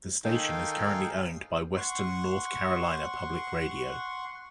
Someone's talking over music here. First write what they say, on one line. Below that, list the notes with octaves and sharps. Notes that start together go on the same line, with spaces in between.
The station is currently owned by Western North Carolina Public Radio.
D#3 D#4 A4 F5 G5 G#5
F#5 C6 C#6